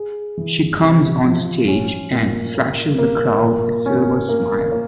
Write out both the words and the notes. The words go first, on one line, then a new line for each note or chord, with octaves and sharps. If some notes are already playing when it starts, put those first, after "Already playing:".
She comes onstage and flashes the crowd a silver smile.
Already playing: G#4
E3
C3
F3
C#4
A#2
A#3
A#3
A#2
C#4
A#3
A#3